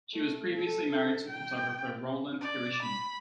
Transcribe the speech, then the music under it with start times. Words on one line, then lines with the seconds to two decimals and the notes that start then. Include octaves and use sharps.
She was previously married to photographer Rowland Kirishima.
0.14 A3
0.57 A4
0.91 A4
1.28 G5
2.41 D5
2.82 B5